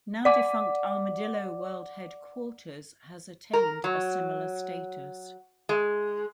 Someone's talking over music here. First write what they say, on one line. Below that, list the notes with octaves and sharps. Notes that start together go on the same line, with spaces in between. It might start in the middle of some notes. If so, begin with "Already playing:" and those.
Now-defunct Armadillo World Headquarters has attained a similar status.
D5 F#5 D6
A#4
F#3
G#3